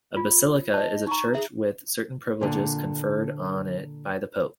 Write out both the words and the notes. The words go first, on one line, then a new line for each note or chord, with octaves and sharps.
A basilica is a church with certain privileges conferred on it by the Pope.
F4
D#5 A5
D#4 A#5 C#6
G#4 E5
A#2 D3